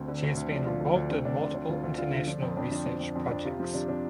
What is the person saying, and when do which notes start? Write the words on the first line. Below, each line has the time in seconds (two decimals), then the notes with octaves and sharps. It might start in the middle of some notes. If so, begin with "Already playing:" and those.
She has been involved in multiple international research projects.
Already playing: D2 C4
0.08 D3
0.23 D2
0.37 D2
0.51 F3 D4
0.66 D3 F4
0.81 D2
0.95 D2 D4
1.10 D3 C4
1.25 D2 D4
1.40 D2 C4
1.54 D2 D4
1.69 D2 F4
1.83 D2
1.98 D3 F4
2.13 D3
2.27 F3 D4
2.42 F2 C4
2.57 F2 D4
2.71 F3 D4
2.86 F3 D4
3.01 F2
3.15 F2 C4
3.30 F2 D4
3.45 C3 F4
3.60 F3
3.74 C3 D4
3.88 C3 D4